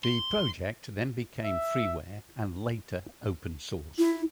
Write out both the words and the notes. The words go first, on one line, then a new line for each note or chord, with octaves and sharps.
The project then became freeware and later open source.
C6
E5
E4